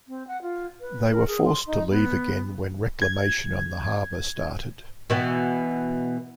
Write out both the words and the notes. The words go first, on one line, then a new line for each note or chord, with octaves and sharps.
They were forced to leave again when reclamation on the harbour started.
C4
F#5
F4
B4
A#4
G#4
C6
D#4
B3
G#6
B2 E3 B3